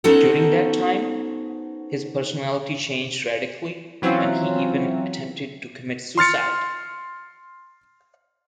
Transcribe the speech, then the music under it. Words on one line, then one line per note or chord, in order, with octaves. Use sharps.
During that time his personality changed radically and he even attempted to commit suicide.
B3 C#4 D#4 F#4 A4 C5
E3 F#3 C4 C#4 E4 F4
C6 F6 A6 C#7